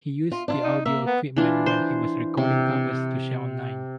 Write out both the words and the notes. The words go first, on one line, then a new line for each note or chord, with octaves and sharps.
He used the audio equipment when he was recording covers to share online.
F4
D4 E4 F4
D#4
A#3 E5
B3
E3 D4 F4
C5
C3